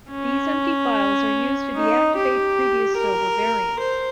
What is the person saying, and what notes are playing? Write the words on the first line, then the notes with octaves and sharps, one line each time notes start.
These empty files are used to deactivate previous Sober variants.
C#4
D#4
G4
A#4
C5